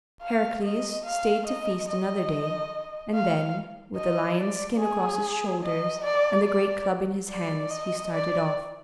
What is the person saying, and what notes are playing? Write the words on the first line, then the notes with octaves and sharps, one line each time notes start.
Heracles stayed to feast another day, and then, with the lion's skin across his shoulders and the great club in his hands, he started off.
F5
D#5
F5
D#5
D#5
F5
D#5
D5
G#4
D#5
D5
D5
D5
D#5
D5